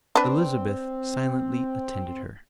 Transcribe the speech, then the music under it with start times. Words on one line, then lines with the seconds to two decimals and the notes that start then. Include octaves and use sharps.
Elizabeth silently attended her.
0.15 C4 D4 B4